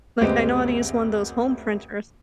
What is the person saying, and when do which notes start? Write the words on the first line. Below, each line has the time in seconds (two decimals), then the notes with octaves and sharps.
Like, I know how to use one of those home printers
0.21 F#1 D2 G#3 C4 G4 B4